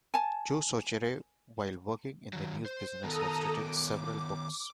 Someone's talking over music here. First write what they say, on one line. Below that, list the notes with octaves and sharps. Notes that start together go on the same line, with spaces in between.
Joe Soucheray, while working in the news business, has written several books.
G#5 A5
D#3 F#3
C5
D#3 B3 A4 A#4 A#5 D#6
D6